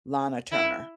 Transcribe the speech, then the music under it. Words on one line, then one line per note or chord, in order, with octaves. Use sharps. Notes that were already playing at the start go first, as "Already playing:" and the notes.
Lana Turner.
E4